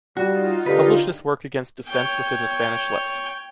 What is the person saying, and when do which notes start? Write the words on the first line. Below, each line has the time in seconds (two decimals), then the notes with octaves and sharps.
Publish this work against dissents within the Spanish left.
0.17 G3 D#4 F4 F#4
0.66 D3 G4 A#4 B4
1.87 C#5 G5